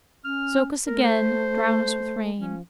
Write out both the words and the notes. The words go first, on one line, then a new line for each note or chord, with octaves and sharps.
"Soak us again-- Drown us with rain!"
C#4 F6
A3 A#4
C5
F3 C#4